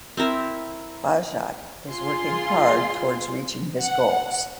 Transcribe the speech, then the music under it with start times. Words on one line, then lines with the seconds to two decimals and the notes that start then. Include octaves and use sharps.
Bahjat is working hard towards reaching his goals.
0.17 C4 E4 A#4 E5
1.91 F4 G#4 C6
3.80 F#5